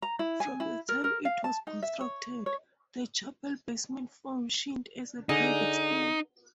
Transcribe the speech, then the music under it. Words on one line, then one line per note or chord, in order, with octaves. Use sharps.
From the time it was constructed, the chapel basement functioned as a private school.
A#5
E4
G#5
E4
A#4
A#4
F5
A5
D#4
E5
C#5
C#5
D3 D#4 G#4